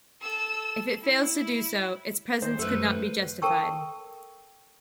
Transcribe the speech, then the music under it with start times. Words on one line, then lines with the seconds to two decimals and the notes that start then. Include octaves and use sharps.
If it fails to do so its presence could not be justified.
0.20 A4 E6
1.02 E4
2.42 D#3 C5
2.59 F#2 A3 A4 B4
3.42 A4 A#4 G5 A5 C#6 E6